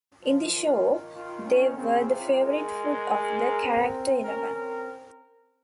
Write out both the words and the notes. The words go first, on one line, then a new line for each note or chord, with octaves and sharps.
In the show, they were the favorite food of the character Eleven.
F3 F4
D#3
F4
C#4
C#3 C4
C3 F4
G#3 A#4
C4
C#4 A#4
C4 A#4